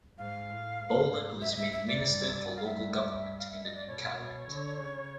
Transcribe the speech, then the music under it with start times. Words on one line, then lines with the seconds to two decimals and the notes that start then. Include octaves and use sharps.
Boland was made Minister for Local Government in the new cabinet.
0.18 G#2 F5
0.49 A2
0.79 G#2
1.41 E5
1.52 D#5
1.57 E5
1.72 E5
1.88 D5
2.03 G2
2.56 F5
2.64 E5
3.38 F5
3.51 E5
3.63 D#5
3.75 D5
3.87 B2 C#5
4.18 B2
4.49 D3
4.80 C#3